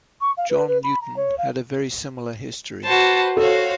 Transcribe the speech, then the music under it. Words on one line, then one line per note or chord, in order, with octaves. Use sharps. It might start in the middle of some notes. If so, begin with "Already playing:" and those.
John Newton had a very similar history.
C#6
F5
B4
B4
B5
A#5
C#5
F5
F#4 B4 C5 A5
F#4 A4 C5 C#5 F5